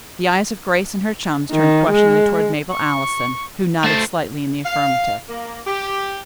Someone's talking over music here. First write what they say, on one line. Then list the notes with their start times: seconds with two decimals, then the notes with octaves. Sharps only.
The eyes of Grace and her chums turned questioningly toward Mabel Allison, who nodded slightly in the affirmative.
1.52 D#3
1.91 G#3
2.69 C#6
3.84 A3 C5 A6
4.65 F5
5.29 A#3
5.67 G4